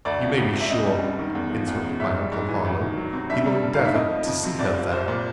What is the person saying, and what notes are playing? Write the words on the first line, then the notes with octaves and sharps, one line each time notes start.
You may be sure, interrupted my uncle Harlowe, he will endeavour to see her there.
D2 D5
F3
D2
C3
E5
F#2 D#5
G3
F#2
D#3
E2
F3
E2
C#3
G#2 E5
G3
G#2
E3
D2
D#3
F#3
C3
G2 E5
G3
G2
D#3 F5
E5
F2 D#5
F3
F2
C3
C2 D5
F3
C2 C5
A#2